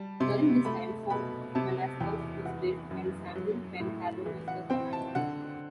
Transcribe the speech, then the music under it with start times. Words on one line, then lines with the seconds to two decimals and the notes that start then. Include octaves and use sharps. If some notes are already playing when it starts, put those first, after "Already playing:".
During this time Fort Menaskoux was built and Samuel Penhallow was the commander.
Already playing: G3 A5
0.20 C3 C6
0.65 A3 B5
1.10 B2 B5
1.55 C3 A5
2.00 E2 G5
2.45 E3 F#5
2.91 F#2
3.35 F#3
3.80 A2
4.26 E3
4.48 F#5
4.70 C4 G5
4.93 A5
5.15 D3 F#5